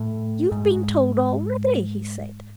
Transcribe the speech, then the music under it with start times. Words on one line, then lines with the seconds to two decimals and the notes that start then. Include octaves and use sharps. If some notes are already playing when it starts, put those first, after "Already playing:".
'You have been told already?' he said.
Already playing: A2
0.52 G#2